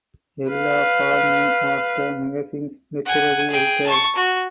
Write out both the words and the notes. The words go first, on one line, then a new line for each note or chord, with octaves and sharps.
Ella Farman was the magazine’s literary editor.
B4 F5
F#5 G#5
G#4 G5
A5 C#6
F#4